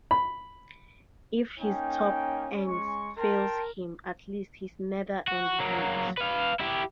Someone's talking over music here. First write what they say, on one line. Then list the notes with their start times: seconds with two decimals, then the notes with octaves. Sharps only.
If his top end fails him, at least his nether end won't.
0.11 B5
1.60 A#3 C#4 D#4 G5
2.66 G#3 C#6
3.18 A#4 G5 A5 C6
5.28 F#4
5.60 F#3 A#3
6.17 B4 F5
6.59 E4 G4